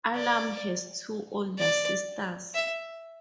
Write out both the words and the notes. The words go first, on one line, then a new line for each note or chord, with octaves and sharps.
Allam has two older sisters.
D5
D5
E5